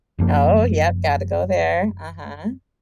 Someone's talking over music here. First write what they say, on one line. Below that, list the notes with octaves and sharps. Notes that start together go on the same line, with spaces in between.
Oh, yep, gotta go there, uh-huh.
F#1 F#2 F3 A#3